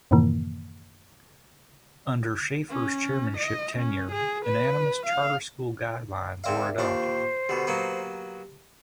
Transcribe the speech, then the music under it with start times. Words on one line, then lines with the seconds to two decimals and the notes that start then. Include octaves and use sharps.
Under Schaffer's chairmanship tenure, unanimous charter school guidelines were adopted.
0.11 F#2 A2 C3 D#3 E3 A#3
2.69 C#4
3.37 D#5
3.78 C#4
4.12 G#4
4.46 B4
5.06 F5
6.44 G#2 C4 A#4 D5 E5 F5
6.78 D#2 D4 F4 C5 F5 C#6
7.49 B2 D3 G4
7.67 F#3 A#3 B3